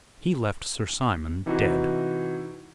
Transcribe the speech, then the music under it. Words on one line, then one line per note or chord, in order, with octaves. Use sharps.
He left Sir Simon dead.
C3 E3 D#4 E4 F#4